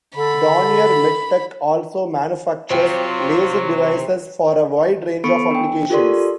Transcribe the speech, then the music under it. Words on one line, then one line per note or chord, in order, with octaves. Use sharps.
Dornier MedTech also manufactures laser devices for a wide range of applications.
D3 A4 B5
C3 F#3 F4 C5 G5
B3 A4 B5 C#6 C#7 D7
D4 G5
F4 G4 A4 A#4 D5 C6